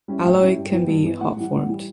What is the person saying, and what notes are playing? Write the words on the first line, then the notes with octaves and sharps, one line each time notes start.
Alloy can be hot formed.
G3 C#4 E4
A2 G5
G3 C#4 E4
G2
E3 B3
G2
E3 B3
A2 F#5
E3 G3
A2
E3 G3